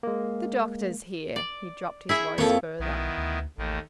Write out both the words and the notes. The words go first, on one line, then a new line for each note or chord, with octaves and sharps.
"The doctors here." He dropped his voice further.
G#3 A#3
D5
E4 G#4 E5
F2 A#2 F3 A4 C#5
B1 D#3 B3 E4
D2
A1 D#2 D#3 A3